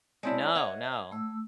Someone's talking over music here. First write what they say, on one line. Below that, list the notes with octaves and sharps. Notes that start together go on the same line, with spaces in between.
No, no.
G#3 C4 E4 C#5 D5 A5
C#5 D#5 E5 F#5
A3 E6